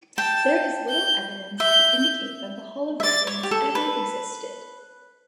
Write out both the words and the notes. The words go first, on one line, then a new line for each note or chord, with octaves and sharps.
There is little evidence to indicate that the Hall of Records ever existed.
G5 A5
G6
E5 G6
E5
D5 A6
C#5
G4
A4
B4